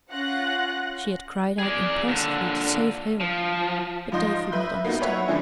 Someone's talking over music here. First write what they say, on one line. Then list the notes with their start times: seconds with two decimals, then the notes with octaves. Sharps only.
She had cried out impulsively to save Hale, but Dave would not understand.
0.11 C#4 F4 F#5 F#6 A#6
1.59 G#4 D5
2.08 A#2 D3
3.20 F3
4.12 G#2 F3 F4 D#5 C6 G6
4.52 B4 E5 B5 G6
4.85 A#3 B3 D#4 F4 F#4
5.01 B4 C#5 E5 F#5
5.28 D3 F3 G#3 C#4 E4